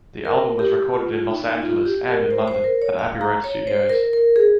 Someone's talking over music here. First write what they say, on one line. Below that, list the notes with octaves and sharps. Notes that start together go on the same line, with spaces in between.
The album was recorded in Los Angeles and in London at Abbey Road Studios.
A#4
G4
F4
D#4
D#4
F4
G4
A#4
C5
C5
A#4
C#5
F5
A#5
C#5
C5
A#4
A#4
G#4